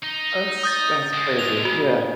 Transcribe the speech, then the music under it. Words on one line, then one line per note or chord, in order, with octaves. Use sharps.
That's that's crazy, yeah.
D#4
D#6 G6 A6
D3 G#3
F7
F#4